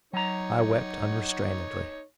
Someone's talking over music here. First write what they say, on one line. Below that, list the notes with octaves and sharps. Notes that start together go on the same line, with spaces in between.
I wept unrestrainedly.
F#3 D#4 C#5 A#5